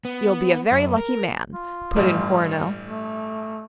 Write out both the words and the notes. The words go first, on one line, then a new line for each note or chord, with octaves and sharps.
"You'll be a very lucky man," put in Coronel.
B3
F#2
A#4
F4
A1 G2
A3